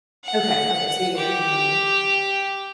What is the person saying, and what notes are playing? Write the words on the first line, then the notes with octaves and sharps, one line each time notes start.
Okay, okay, so you're familiar.
F#5
G4